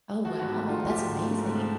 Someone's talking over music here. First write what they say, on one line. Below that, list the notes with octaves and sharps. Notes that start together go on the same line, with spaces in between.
Oh, wow, that's amazing.
F3 F#4
G#2 F#4
G4
A3
F4
G#2
F#4
F3 G4
G#2
A3
G#2
F3